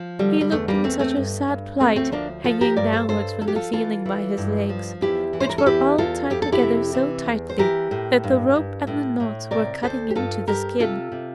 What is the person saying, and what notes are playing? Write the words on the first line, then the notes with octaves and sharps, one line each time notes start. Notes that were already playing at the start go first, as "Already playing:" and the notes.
He looked in such a sad plight hanging downwards from the ceiling by his legs, which were all tied together so tightly that the rope and the knots were cutting into the skin.
Already playing: F3
D3 G3
G3
E2 A3
G3 A#3
E2 A3 C4
A3 C4
G2
G2
D2 A3 C4
A3 C4
F3 A#3 D4
F3 F4 A4
G4 A#4
G2 A#4 D5
A4 C5
G2 A4 C5
F3 A4
G4
F4 A4
E3 F4 A4
E3
G2
F3
E2 E4 G4
E3
C5
A#4
A4
E2 E4 G4
E2 F4 A4
F2 G4
A4
E4 G4
C3
E3
E2
C5
E3 G4 A#4
A2
G2
G2
A2
A2
C3 A#4 D5
D2 A4 C5
G4
G2 F4 A4
G2 G4 A#4
C3 F4 A4
C3